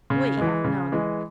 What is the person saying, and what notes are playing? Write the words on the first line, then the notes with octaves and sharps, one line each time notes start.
We have none.
C#3
E3 G#3
C#3
E3 G#3